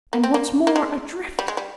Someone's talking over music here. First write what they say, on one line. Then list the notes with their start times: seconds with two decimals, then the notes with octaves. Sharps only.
And what's more,--adrift.
0.13 A#3
0.24 C4
0.34 A#3
0.67 A#3
0.76 G#3
1.39 G3
1.48 G#3
1.57 G3